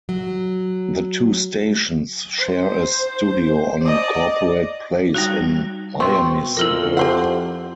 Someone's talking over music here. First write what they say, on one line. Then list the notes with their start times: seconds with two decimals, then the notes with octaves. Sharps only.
The two stations share a studio on Corporate Place in Miamisburg.
0.09 F#3
2.39 C5
3.84 D5 D#5
5.14 G3 D#4 F#4
6.00 B2 C4 C6 C#6
6.57 F2 E4 F4 A#4
6.97 G4 C5 F#5